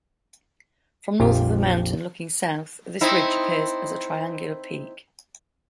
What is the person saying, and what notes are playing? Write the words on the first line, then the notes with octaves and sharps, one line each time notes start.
From north of the mountain, looking south, this ridge appears as a triangular peak.
A#1 F2 F4 G4
C4 D#4 E4